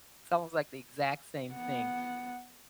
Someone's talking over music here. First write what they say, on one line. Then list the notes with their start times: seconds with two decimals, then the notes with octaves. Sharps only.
it's almost like the exact same thing,
1.54 B3 F#5